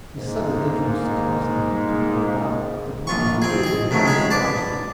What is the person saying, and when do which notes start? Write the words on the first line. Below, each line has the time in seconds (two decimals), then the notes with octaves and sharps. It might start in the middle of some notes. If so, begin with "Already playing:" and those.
His sudden entrance caused the few people about to pause and gaze at him in astonishment.
0.17 G#2 G#3 A#3
3.07 A#1 F4 C#6
3.42 C4 G#4
3.64 G#4 D#5
3.91 A2 D#3 F3 F#3
4.06 G#3 G#4 B5
4.31 B4 D5 A5